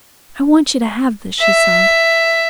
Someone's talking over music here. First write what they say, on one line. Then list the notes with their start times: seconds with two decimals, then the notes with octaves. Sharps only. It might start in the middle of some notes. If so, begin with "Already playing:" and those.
"I want you to have this," she sobbed.
1.40 E5